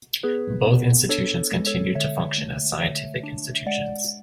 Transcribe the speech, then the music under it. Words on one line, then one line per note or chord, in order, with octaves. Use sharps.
Both institutions continued to function as scientific institutions.
B3 G#4 B4
B3
D4 A4 C#5
G#3
A4 C#5
D3 C#5 E5
A3
D3 C#5 E5
D4
G#3 D5 F#5